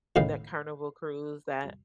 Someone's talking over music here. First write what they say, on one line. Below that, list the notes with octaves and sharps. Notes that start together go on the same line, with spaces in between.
that Carnival cruise that
C#2 A2 D#3 F5